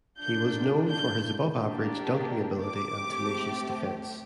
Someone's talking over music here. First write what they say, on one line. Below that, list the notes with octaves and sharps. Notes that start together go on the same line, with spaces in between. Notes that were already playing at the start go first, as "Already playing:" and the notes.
He was known for his above-average dunking ability, and tenacious defense.
A#3 D4 F4 G6
G6
A#3 D4 G4
D6
A3 C4 G4